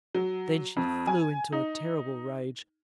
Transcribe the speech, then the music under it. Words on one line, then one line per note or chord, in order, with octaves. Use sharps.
Then she flew into a terrible rage.
F#3
F2
G#5
D#4